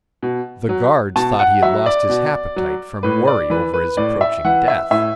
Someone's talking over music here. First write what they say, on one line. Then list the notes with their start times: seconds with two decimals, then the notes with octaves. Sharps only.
The guards thought he had lost his appetite from worry over his approaching death.
0.23 B2
0.69 F#3
1.16 B2 A5
1.39 F#5
1.63 F#3 E5
1.86 D5
2.09 B2
2.56 F#3
3.03 A2 B4
3.27 D5
3.50 E3 B4
3.74 B4
3.97 A2 D5
4.21 E5
4.45 E3 F#5
4.68 E5
4.91 A2 E5